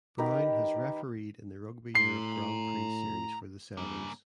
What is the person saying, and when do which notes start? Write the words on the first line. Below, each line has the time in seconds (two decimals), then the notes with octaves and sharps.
Brown has refereed in the Rugby Europe Grand Prix Series for the Sevens.
0.18 D#3 G4 A#4 B4
1.95 A2 A#5 C6 C7
3.77 G2 C#3 A#3